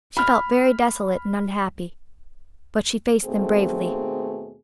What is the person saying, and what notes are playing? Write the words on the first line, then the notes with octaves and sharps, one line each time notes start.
She felt very desolate and unhappy, but she faced them bravely.
B5 F6
D#2 B2 A3 C4 G#4